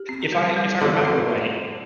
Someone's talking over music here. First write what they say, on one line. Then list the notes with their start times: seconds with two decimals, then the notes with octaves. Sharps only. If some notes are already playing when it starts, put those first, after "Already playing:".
if I if I remember right,
Already playing: G4
0.09 C4
0.32 G3
0.57 G3
0.81 D3 G4
1.05 C4